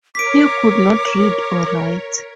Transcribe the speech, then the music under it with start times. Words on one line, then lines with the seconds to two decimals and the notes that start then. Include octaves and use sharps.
He could not read or write.
0.15 A#4 C#5 D6 B6 D7